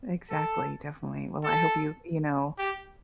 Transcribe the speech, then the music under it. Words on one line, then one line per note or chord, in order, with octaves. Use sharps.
Exactly, definitely. Well, I hope you you know,
A4
A4
G4